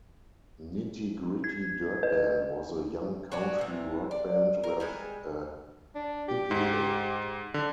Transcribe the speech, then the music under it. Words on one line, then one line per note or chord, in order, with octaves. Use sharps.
Nitty Gritty Dirt Band was a young country-rock band with a hippie look.
G#6
B4
F#4 C#5 D5
C3 E3
D5
A#4
G3 G#3 G#5
D4
G4
G#2
D3